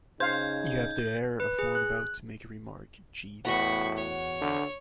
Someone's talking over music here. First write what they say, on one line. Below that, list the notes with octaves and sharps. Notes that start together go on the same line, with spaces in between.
You have the air of one about to make a remark, Jeeves.
C#3 D#4 C5 F5 G6 G#6
B4
G#4
F#6
E2 A2 F#4 F#5 B5 C#6
C#5
D3